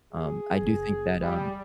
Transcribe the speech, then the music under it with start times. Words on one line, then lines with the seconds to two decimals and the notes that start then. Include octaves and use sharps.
um, I do think that, um,
0.13 G#4
0.61 F#1
1.22 E2 G3